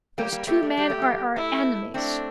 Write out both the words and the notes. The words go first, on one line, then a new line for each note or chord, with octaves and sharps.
Those two men are our enemies.
G3 A#3 G4
G3 A#3
A3 C4 G4
A3
G3 G4
A3
G3
A3 E4
A3 C4 D4